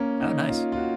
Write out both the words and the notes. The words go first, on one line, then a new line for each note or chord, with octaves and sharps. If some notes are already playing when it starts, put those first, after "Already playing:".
Oh, nice.
Already playing: A#3 C#4
D#4
F4
F4
F#4